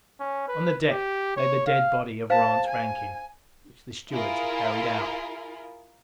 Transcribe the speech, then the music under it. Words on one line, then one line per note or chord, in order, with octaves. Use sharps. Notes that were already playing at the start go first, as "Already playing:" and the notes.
On the deck lay the dead body of Rance Rankin, which the stewards had carried out.
C#4
B4
G4
C#5
F5
C5 F5 A5
G#5
E4 F4 G#4 A#4